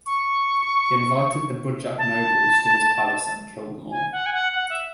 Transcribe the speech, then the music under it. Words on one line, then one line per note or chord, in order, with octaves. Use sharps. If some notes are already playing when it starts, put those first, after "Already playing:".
He invited the Budjak nobles to his palace and killed them all.
C#6
A5
G#5
F#5
G#5
F#5
F#5
E5